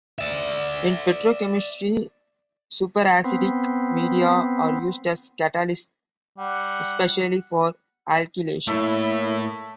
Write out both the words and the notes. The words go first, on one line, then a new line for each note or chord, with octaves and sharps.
In petrochemistry, superacidic media are used as catalysts, especially for alkylations.
D5 E5
B3 C4
G3 F#5
A2 A3 A#3 E4 C#5 E5 B5